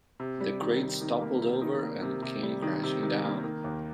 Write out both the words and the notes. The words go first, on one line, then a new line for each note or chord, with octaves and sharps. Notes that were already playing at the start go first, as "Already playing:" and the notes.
The crates toppled over and came crashing down.
C3
G3
D#3
C3
D#3
A#3
C3
D#3
A#3
C3
C3
G3
D#3
C3
D#3
A#3
D#3
D#2